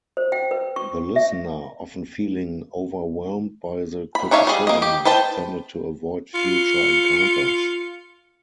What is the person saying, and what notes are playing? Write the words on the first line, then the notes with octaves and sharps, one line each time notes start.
The listener, often feeling overwhelmed by the criticism, tended to avoid future encounters.
C5
G5
B4
C#6
E5
B5
D4 D#4 C#5 E5 F5
G3 G#4
A#3 D#5
G4
B4 C5 G5 A5
F4 C#7